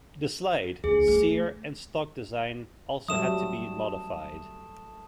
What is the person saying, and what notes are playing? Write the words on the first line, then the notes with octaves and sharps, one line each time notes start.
The slide, sear, and stock design also had to be modified.
D2 G#4
A3
F#3 G3 A3 D#6 E7